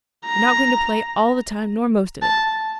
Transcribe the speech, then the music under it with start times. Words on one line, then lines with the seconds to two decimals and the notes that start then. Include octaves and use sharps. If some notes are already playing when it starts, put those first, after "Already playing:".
You're not going to play all the time nor most of it.
0.26 A#5
2.22 A5